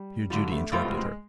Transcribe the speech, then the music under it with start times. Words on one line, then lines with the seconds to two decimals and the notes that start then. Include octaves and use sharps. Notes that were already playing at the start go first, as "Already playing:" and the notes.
Here Judy interrupted her.
Already playing: G3
0.30 G2 D3 F#3 G3
0.52 A3
0.72 B2 G3 A3 C4 F4
0.85 G#3
0.99 G#3